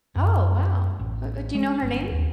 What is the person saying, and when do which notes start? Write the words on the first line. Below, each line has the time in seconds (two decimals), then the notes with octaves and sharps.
Oh, wow. Her do you know her name?
0.16 F#2
0.99 A1
1.55 G#3
1.82 G1
2.11 D#2